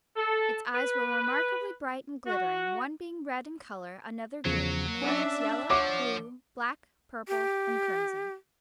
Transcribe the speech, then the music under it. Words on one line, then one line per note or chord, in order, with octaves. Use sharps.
Its eyes were remarkably bright and glittering, one being red in color, another green, and the others yellow, blue, black, purple and crimson.
A4
B4
F#4
E2 C#3 F3 F#3
C#4 D4 E5
F3 C#5 F#5 D6
G4